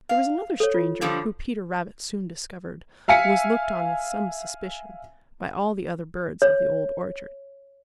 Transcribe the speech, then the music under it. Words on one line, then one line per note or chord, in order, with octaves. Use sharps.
There was another stranger who, Peter Rabbit soon discovered, was looked on with some suspicion by all the other birds of the Old Orchard.
F5
A4 C#5
F4
D3 F3 G3
E5 F5 G#5 B6 C#7
C#5